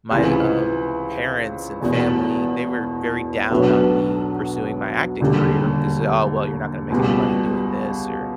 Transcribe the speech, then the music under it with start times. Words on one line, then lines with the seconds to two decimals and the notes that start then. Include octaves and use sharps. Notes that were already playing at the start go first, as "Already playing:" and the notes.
my, um, parents and family, they were very down on me pursuing my acting career because, "Oh, well, you're not gonna make any money doing this" or,
0.11 C#2 C3 E3
1.81 E1 E2 B2
3.50 B1 B2 F#3 B3 D4
5.20 E1 D#2 D3 G3
6.90 C#2 B2 G3